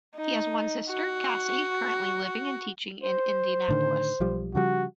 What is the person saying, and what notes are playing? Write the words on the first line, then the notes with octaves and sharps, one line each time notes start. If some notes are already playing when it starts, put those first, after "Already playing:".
He has one sister Casie currently living and teaching in Indianapolis.
D#4
F#4
C5
A2 D3 D#3
B1 F3 G3
C#3 F3 G3 F#4